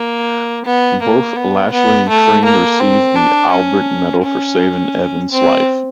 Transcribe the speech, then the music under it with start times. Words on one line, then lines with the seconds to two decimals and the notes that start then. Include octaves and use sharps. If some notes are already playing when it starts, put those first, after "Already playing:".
Both Lashly and Crean received the Albert Medal for saving Evans' life.
Already playing: A#3
0.66 B3
1.02 A#3
1.37 B3
1.73 B3
2.09 A3
2.45 A#3
2.80 C4
3.15 D4
3.51 C#4
4.24 C#4
5.31 C4